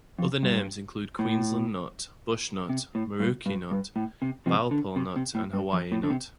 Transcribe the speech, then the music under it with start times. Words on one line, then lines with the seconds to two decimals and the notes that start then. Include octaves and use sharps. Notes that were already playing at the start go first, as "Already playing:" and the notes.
Other names include Queensland nut, bush nut, maroochi nut, bauple nut, and Hawaii nut.
0.19 F2
0.43 G2
1.19 A2
2.69 C3
2.95 A2
3.20 G2
3.46 G2
3.71 G2
3.96 A2
4.22 C3
4.46 C3 F3
4.71 D3
4.96 C3
5.16 C3
5.35 A2
5.53 G2
5.73 F2
5.92 A2
6.03 D3
6.10 C3